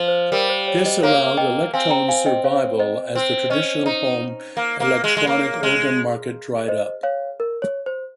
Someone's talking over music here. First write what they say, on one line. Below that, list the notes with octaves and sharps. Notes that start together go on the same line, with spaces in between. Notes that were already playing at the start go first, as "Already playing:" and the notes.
This allowed Electone's survival as the traditional home electronic organ market dried up.
Already playing: F3
C5
G3 A#4
C5
C#5
C5 D#5
A#3 C#5 F5
D#5 G5
C4 F5 G#5
G5 A#5
F5 G#5
D#5 G5
C#5 F5
C5 D#5
C4 C5
C#4 C5 D#5
D#4
A#3
A#3
G#3
G#3
A#3 C#5
G#3
C5 D#5
C#5 F5
A#4
C#5
C5